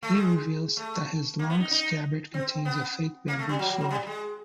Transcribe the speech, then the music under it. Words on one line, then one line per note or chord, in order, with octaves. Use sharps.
He reveals that his long scabbard contains a fake bamboo sword.
A3
G#3
A3
A#3
B3
D#4
D#4
C4
B3
A#3
A3
G3
F#3
F#3
F#3
G3
G#3